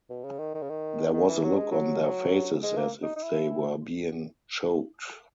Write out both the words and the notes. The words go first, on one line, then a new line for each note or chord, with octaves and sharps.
There was a look on their faces as if they were being choked.
B2
C#3
D#3
D#3
C#3
D#3
D#3
E3
F#3
G#3
F#3
F#3
G#3
A#3
D#4
D#4
E4